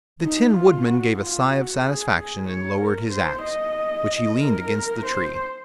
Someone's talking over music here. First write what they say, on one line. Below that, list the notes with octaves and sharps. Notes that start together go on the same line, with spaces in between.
The Tin Woodman gave a sigh of satisfaction and lowered his axe, which he leaned against the tree.
D#4
F4
F#4
F4
F#4
G#4
G#4
C#5
A#4
C5
D#5
A#4
C5